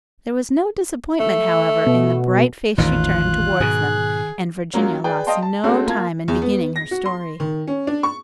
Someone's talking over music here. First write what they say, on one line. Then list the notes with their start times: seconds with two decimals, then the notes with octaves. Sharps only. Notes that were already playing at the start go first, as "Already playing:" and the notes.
There was no disappointment, however, in the bright face she turned toward them, and Virginia lost no time in beginning her story.
1.20 A3
1.86 B2
2.78 A1 E2 A#2 D#3 F4 F#6
3.60 G#2 B2 G#4
4.74 F#3 A#3 C#4 F4
5.04 G#4 B4 D5 G5
5.27 D#5 F5 G5 A5 C6
5.43 A5
5.64 G#3 A3 C4 C#4 F#4 A4
5.86 A#3 F4 A5 G#6
6.28 E2
6.42 B3
6.76 A#6
6.91 F#4
7.06 C6
7.40 D#3
7.67 C#4
7.87 D4
8.03 C#6